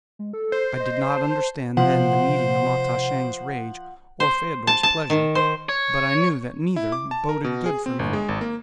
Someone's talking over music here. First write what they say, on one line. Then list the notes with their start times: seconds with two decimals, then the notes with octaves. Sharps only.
I did not understand then the meaning of Matai Shang's rage or Phaidor's pleasure, but I knew that neither boded good for me.
0.19 G#3
0.33 A4
0.52 C5
0.80 D#5
1.10 A5
1.77 C3 F3 C5 F#5
4.20 C5
4.67 A5
4.83 A5
5.10 D#3
5.35 C5
5.69 C#5
6.76 E4
6.92 D6
7.11 A5
7.29 A#4
7.44 B2
7.66 G#4
7.86 C4
7.99 G1
8.13 G#3
8.29 G#1
8.41 A#3